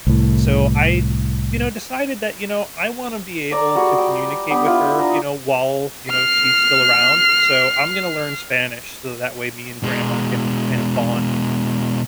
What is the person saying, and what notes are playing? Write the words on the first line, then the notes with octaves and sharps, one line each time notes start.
so I d you know, decided that, you know, I wanna be able to communicate with her, you know, while, you know, she's still around. So, I'm gonna learn Spanish so that way me and grandma can kind of bond.
C2 A2
A4 D5 A#5
G3 F#4 G#4
G5
B3 D4 G4 B4
E4 F4
D4 A#5 D#6
F6 C7
B2 G#3